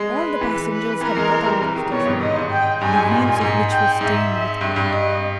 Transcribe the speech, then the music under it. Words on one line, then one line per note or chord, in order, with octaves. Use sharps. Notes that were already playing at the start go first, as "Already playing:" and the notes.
All the passengers had got out of the train, the wheels of which were stained with blood.
Already playing: G#3
B4
E3
B4
E3 A#4
G#3
G3
E3
D#3
B2 C#5
G2
G#2 D#5
G#2
G5
G2 G#5
G#2
A#2 G#5
G#2
G5
G#2 E5
G2
G2
D#5